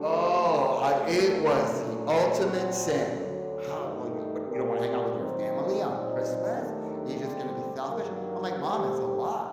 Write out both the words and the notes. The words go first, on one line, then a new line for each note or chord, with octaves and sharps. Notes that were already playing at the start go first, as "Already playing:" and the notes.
Oh, I it was the ultimate sin. "How will you what, you don't wanna hang out with your family on Christmas? You're just gonna be selfish?" I'm, like, "Mom, it's a lot,
Already playing: D3 F#3 A3 D4 G4
C3 F#3 A3
G2 D#3 A3
A#2 F#3 A3 D4
A#2 F#3 C4 F#4
D2 D3 F#3
G2 D#3 A3 D#4
A#2 A3 C4 G4 A#4
D#3 F#3 C4
A#2 F#3 C4 D#4
D#2 D#3 F#3 A3 D4
D3 G3 C4
G2 D#3 F#3 A#3
D#2 D3 G3 C4 G4